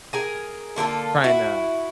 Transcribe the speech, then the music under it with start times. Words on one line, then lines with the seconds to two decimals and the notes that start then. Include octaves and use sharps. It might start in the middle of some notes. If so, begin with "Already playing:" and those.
trying to
0.13 G#4 A#4 G#5
0.76 D3 A#3 F4 A4
1.24 E4 F#4